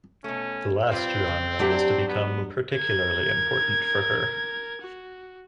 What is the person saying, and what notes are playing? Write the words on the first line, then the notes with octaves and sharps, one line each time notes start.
The last genre was to become particularly important for her.
B2 A3 C#4
G3 C4 F4 B4
C#3
F#3 D4 G4 E5
B3
A#4 G#6
F#4